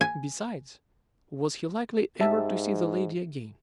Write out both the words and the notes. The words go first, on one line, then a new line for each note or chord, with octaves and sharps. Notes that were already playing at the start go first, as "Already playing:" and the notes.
Besides, was he likely ever to see the lady again?
G#5
G#2 G4 E5 A5